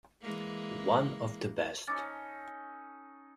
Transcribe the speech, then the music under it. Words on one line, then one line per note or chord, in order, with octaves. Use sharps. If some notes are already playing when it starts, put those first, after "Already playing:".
One of the best.
E3 G#3 A#3
C#4 D#4 A4 D6 A6